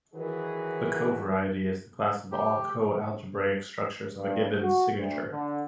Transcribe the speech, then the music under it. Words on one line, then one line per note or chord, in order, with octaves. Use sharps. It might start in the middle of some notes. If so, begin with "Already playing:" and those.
A covariety is the class of all coalgebraic structures of a given signature.
D#3 E3 F#3 F#4 G#4 B4
G4
G2
F#4
D2
D3